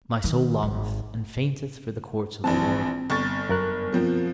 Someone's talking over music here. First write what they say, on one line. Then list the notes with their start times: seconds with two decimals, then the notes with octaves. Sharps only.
My soul longeth and fainteth for the courts of the Lord.
0.24 D#3
0.63 G#1
2.44 A#1 E3 C4 A5
3.10 G1 C#6 A6
3.49 F#2 A#4 F#6
3.93 B2 F3 C4